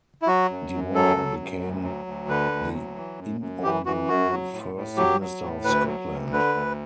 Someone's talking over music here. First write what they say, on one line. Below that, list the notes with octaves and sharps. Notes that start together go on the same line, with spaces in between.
Dewar became the inaugural First Minister of Scotland.
E4
F#3 F#4
F#2
F#2
F#3 A4
F#3
F#2
D2
F#3
D2
D3 B4
D2
F#3
E3
F#2
F#2
E3 G4
E3 F#4
F#2 F#4
F#3
A2
A2
F#3 G4
F#3
A2
D2 B4
F#3
D2
D3 B4
D2